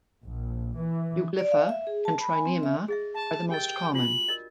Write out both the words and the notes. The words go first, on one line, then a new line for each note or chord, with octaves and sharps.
"Euglypha" and "Trinema" are the most common.
A#1
E3
D5
F5
E5
G#4
A5
B5
G#5
C4
E5
G#4 D#5 E5
E5 A5 C#6
G4 A#4 D#5 G5
D4 F4 F#4 F#7
A#4 D5 D#5